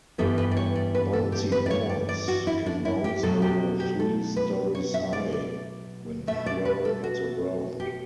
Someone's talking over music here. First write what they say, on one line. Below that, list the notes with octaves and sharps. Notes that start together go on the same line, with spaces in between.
Bouncy balls can bounce over three stories high when thrown at the ground.
G2 E3 G3 B3 A4
B4
D5
C#5
D5
B4
A4
G4
B4
D5
C#5
D5
D5
F#4
E4
D4
E4
G4
B2 F#3 A3 A4
G4
G4
A4
B4
C#5
E5
D5
D5
B2 A3 E5
D5
B4
A4
F#4
G4